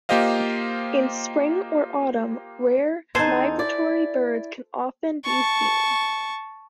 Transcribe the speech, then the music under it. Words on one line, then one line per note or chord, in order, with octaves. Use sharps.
In spring or autumn rare migratory birds can often be seen.
A#3 F4 G4 C5 D#5 F5
E2 D#4 A4 C5 G#5
E4 D5
A5 C#6